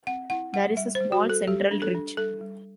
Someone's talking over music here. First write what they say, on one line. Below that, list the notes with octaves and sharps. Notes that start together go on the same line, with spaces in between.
There is a small central ridge.
C4 F#5
E4 F#5
G3 F#5
G3 E5
C5
G3
F#4
G3
A4
G3 G4
D4
A4
D4
G3 A4
G3